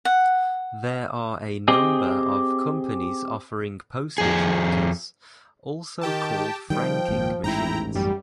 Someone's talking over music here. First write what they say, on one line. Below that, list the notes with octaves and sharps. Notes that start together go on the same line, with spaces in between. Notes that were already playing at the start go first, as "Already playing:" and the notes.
There are a number of companies offering postage meters, also called franking machines.
F#5
C4 G4 G#4 D#5
F2 G#4
D#3 G4 G5 A5
D#3 F3 G3 G5
G#1 A#2
A1 G#2 E4 G5 A#5
F#2 G3 G4